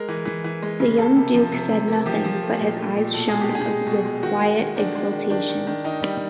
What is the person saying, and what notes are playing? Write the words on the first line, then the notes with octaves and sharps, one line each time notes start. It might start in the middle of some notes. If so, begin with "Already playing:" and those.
The young Duke said nothing, but his eyes shone with quiet exultation.
Already playing: G#3 A#4
E3
E3
E3
G#3
C#3
A#3 A4
C3
F3
C3
C3
A#3
F3 G4
F3
A3
A#2
A3
A#2
B2 A4
B2 G#4
G4
G#3 G#4
G#3
B2
G#3
D#3 F#4
G#3
D#3
D#3 D4
G#3
D#3
D#3 D4
D#3
D#3
D#3 D#4
G3